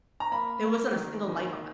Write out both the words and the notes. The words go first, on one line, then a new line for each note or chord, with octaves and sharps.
There wasn't a single light on.
A#5
A#3 B5
A#3
D#3
D#3